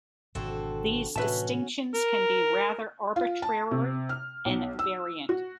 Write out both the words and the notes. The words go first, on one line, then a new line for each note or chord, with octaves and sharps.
These distinctions can be rather arbitrary and variant.
G#1 F2 B2 D3 C4 F#4 A4 C5
A2 C3 E3 C#4 F#4 B4 E5 A5
A#4
F4
A5
C3
F6
B1
E6
F#4